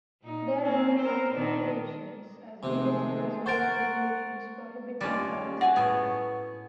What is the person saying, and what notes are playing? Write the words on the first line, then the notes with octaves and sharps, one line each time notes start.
There are no mining operations, as municipal zoning regulations prohibit mineral extraction.
A#2 D#4
A#3 C4
A#4 C5
A#2 D#3 D4
C3 D#3 F3 G#3 A3 G#4
A#4 C5 F#5 C#6 A6 D7
D#2 G3 C#4 D4 F4
F#4 F#5 G#5 A5
A2 B3 G#4